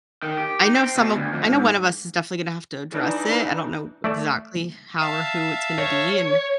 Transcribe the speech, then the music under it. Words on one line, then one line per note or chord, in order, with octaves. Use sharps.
I know some of I know one of us is definitely gonna have to address it. I don't know exactly how or who it's gonna be, and
D#3
G4
D#4
C4
B2
D2
F2
G#2
E3 D4 D#4
A3 D5 A5
E5 F5 A5
C#5